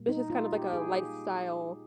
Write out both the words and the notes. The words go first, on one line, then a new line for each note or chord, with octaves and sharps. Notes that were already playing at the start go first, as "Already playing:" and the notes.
It's just kind of like a lifestyle
Already playing: A#2 G3 A#3
D#4
F4
G4
G#4